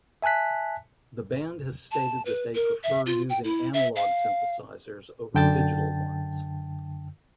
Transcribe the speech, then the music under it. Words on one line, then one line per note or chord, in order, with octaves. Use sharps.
The band has stated that they prefer using analogue synthesizers over digital ones.
E5 G#5 A5 F#6 B6
A5
B4
A#4
E5
F4
G5
E4
E5
F5
F#2 D3 G5 A5 A6